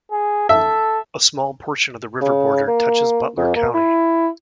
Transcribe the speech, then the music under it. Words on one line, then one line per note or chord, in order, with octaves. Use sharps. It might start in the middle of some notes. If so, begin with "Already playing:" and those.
A small portion of the river border touches Butler County.
G#4
A4 E5
C#3
A#3
F2
A#3
E4